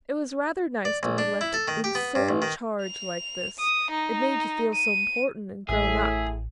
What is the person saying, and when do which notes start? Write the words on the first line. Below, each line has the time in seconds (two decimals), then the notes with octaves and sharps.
It was rather nice to be left in sole charge like this--it made you feel so important and grown-up.
0.85 D5
1.03 A#1
1.18 D4
1.41 E4
1.54 A4
1.68 D#3
1.84 G4
1.95 B3
2.15 G2
2.29 A1
2.42 D#3
2.82 F7
3.59 D#6
3.90 D#4
4.73 D#7
5.69 A1 A2 G#4 E5